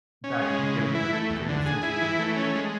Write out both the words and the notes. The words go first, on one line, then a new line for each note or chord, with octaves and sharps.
back at the beginning of the previous century,
C#4
G#3
C#3
E3
E4
A3
E2
D3
G#4
E4
E3
A3
C#4
G#3